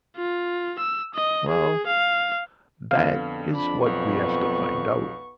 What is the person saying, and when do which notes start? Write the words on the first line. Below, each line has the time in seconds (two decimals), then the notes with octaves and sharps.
"Well, that is what we have to find out."
0.17 F4
0.79 E6
1.14 D#5
1.49 G#4
1.87 F5
2.91 F2 D3 B3 F5
3.51 F2 D4 B5
3.86 B1 B3 C#6